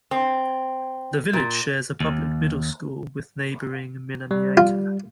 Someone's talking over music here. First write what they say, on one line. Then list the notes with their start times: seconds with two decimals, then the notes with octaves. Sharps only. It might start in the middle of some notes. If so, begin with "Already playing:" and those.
The village shares a public middle school with neighboring Minamiaika.
0.11 C4
1.33 A#2
2.00 D#2
4.31 G3
4.57 F4